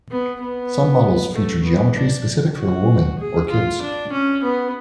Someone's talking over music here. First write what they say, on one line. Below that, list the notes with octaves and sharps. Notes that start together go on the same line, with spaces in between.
Some models feature geometry specific for women or kids.
B3
B3
A3
B3
D4
F#4
G#4
F4
D4
C#4
B3